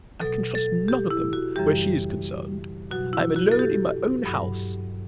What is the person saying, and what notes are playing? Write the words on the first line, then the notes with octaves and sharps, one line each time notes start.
I can trust none of them where she is concerned. I am alone in my own house.
B2 F#3 A4
A4
G4
E4
F#4
F#2 C#3 E3 G3 G4
B2 F#3 F#4
E4
F#4
A4
G4
G2 F#3